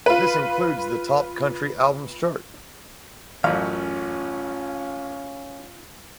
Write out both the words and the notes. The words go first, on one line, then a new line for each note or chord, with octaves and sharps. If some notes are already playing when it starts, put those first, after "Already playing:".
This includes the Top Country Albums chart.
F4 B4
A1 F#2 C#4 F4 F5